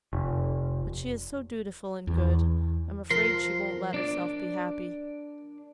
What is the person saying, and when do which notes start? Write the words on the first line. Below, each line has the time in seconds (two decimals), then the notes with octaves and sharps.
But she is so dutiful and good, I'm afraid she won't let herself be happy.
0.13 F1
2.07 E2
3.11 F3 A#4 C6
3.94 D4 D5